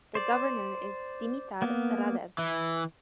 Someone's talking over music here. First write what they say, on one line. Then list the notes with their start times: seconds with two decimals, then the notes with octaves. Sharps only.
The governor is Dimitar Radev.
0.15 C5 D5
1.62 A#3 B3
2.38 E3